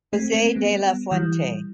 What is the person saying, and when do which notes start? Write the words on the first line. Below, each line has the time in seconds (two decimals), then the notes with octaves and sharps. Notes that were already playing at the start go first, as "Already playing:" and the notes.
Jose de la Fuente.
0.13 A3 C4
0.34 A3 C4
0.55 G3 B3
1.11 E3 G3